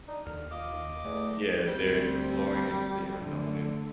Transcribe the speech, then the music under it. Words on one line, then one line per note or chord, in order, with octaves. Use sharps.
Yeah, they're exploring into the unknown in
D4 D#4
D#2 D3 F6
F4 D#5 D6
E2 A3
D2 G3 C4
D3 A3